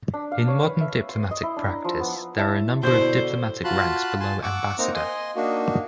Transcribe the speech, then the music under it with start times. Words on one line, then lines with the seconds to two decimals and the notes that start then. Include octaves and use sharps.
In modern diplomatic practice, there are a number of diplomatic ranks below Ambassador.
0.14 D4
0.32 F5
0.48 C#5
0.64 B4
0.81 E5
1.09 C6
1.31 D#5
1.43 E4
1.57 D4
1.70 A#5
1.85 F3
2.00 B3
2.37 E4 C#5 E5 A5
2.83 B2 D3 E4 F#4 C5 G6
3.64 F4 F#4 A5 B5 C6 F#6
4.20 G#5 A5 C6
4.43 F#5 C#6 D6 E6
4.78 A#3 C4 D#4 A#5
4.95 D#5 G#5 C6
5.36 A#3 D4 D#4 F#4